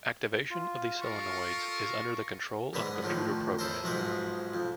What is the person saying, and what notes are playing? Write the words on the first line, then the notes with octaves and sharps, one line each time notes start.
Activation of these solenoids is under the control of a computer program.
F4
F4 A4 A#4 C#6
G#2 D3 B3 B4 D#6
A2 D3 D#3 F3
E4 A4 A#4 C5 D#5
B1 G#2 F3 G#3 B3 B4
F2